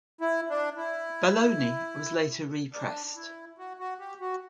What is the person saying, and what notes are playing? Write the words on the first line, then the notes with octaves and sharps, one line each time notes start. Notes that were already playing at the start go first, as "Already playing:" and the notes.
"Baloney" was later re-pressed.
E4
D4
E4
D4
E4
F#4
F#4
G4
F#4